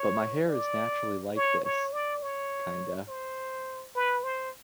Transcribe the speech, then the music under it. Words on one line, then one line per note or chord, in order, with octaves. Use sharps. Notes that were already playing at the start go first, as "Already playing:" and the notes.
But my hair is naturally like this... Kinda.
Already playing: C#5
D5
C#5
C#5
D5
C#5
C5
B4
C5